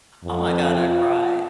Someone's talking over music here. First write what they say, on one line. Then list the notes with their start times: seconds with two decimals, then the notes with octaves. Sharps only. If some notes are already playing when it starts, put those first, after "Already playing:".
oh my god, I cried.
0.23 F2
0.79 F4